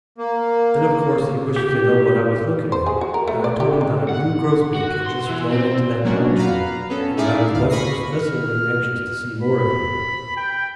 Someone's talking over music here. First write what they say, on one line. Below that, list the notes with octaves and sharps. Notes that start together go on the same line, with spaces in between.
Then, of course, he wished to know what I was looking at, and I told him that a blue grosbeak had just flown into that pine-tree, and that I was most distressingly anxious to see more of him.
A#3
G4
C5
G#4
F#4
A#4
A3
D5
G4
G#3
F#5
F#4
C6
E3
C4
F#3 A#3 C#4 D4 F#4
B4 F5 A#5 B5
B3 C#4 A4
D#4 E4 G#4 D5 E5 F5
D2 F5
B5 C#6 D#6 A#6 C7
F6
B5
G5